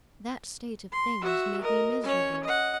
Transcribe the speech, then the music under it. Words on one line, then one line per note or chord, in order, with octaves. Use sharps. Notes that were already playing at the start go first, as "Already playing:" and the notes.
That state of things made me miserable.
C6
F#4 E5
A#4 D#5
C#4 C#5
D#5 F#5